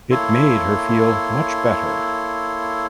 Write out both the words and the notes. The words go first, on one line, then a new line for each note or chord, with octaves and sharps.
It made her feel much better.
A#3 E4 A4 C#5 C6